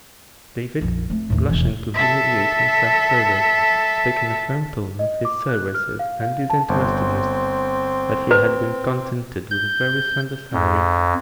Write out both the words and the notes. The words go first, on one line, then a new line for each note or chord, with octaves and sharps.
David, blushing to humiliate himself further, spake in a firm tone of his services and disinterestedness,--that he had been contented with a very slender salary.
A#1 F2
A3 C4
D#2 A2
E1 E3
A4 E5
D#5
D6
F#6
F6
F5
F5
A5
G1 C4
B4
G6
F2